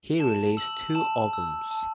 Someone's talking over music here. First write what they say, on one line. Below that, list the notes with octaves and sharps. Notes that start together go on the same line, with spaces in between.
He released two albums.
A5 E7
E6 F#7
A5 E7
E6
A5